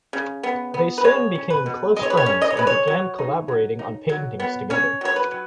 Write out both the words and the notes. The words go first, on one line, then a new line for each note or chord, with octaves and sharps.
They soon became close friends and began collaborating on paintings together.
C#3
B3
B3
B4
G#3 C#5
C#4
B4
B2
G#3 D#5
C#5
B4
C#5
C#4
D#5
C#5
G#3 B4
C#5
F#3
D#4
F#3
D#4
F#3
B3
C#4 C#5
F#3 C#5
B4
F#3